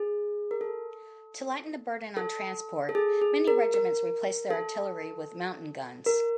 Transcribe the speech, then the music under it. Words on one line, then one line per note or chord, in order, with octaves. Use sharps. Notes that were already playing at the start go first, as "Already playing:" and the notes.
To lighten the burden on transport, many regiments replaced their artillery with mountain guns.
Already playing: G#4
A#4
A4
A4
A4
G#4
G#4
A#4
A#4
A4
A#4